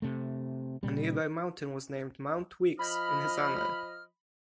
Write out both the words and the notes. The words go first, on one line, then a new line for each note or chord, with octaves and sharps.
A nearby mountain was named Mount Weeks in his honor.
C3 A3
A#2 C#3 G3
F3 D#5 B5 F6